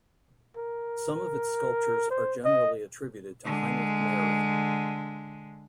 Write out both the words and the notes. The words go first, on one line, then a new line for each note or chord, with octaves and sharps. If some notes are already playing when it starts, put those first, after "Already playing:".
Some of its sculptures are generally attributed to Heinrich Meyring.
A#4
C5
D#5
D3 G#3